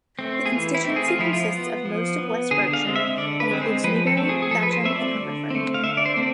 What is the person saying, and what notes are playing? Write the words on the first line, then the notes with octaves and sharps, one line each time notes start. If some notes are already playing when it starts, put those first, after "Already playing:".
The constituency consists of most of West Berkshire and includes Newbury, Thatcham and Hungerford.
A3 C4
G#4
E3 F4
E4
C4
A3
G#4
F4
F3 E4
F4
B3
F3
B3
D3 G#4
F5
G#3 C4
E5
D3 D5
B4
G#3 C4
C5
F3 B4
A4
A3 C4
G#4
G#4
F3 A4
B4
C5
A3 C4 E5
D5
D3
A3 C4
F5
D3 E5
D5
C5
A3 C4